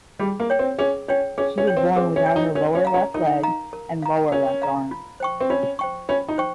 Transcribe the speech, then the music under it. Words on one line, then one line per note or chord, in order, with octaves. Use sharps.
She was born without her lower left leg and lower left arm.
G3 G#4
A#3
C#5 G5
C4
C#4 G#4
C#4 C#5 G5
C#4 G#4
C#4
C#5 G5
C4
C4 G#4
C#4
C#5 G5
D#4
C#4 A#4
C#4
F5 A#5
C#4
D#4 A#4
F5 A#5
A#4
F5 A#5
C#4 A#4
F5 A#5
F4
C5 G5 C#6
C4
C#4 F4
C5 G5 C#6
C#4 F4
D#4
C5 G5 C#6